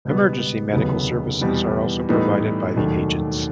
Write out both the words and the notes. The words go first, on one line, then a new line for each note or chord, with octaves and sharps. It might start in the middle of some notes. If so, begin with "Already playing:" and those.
Emergency Medical Services are also provided by the Agents.
C#2 B2 G3 B3
F1 D#2 C#3 F#3 B3
E2 B2 G3 B3
A2 E3 G3 B3 D#4
E1 D#2 D#3 F#3 A3